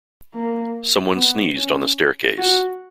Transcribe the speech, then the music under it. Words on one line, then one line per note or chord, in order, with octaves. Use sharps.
Someone sneezed on the staircase.
A#3
B3
C#4
F#4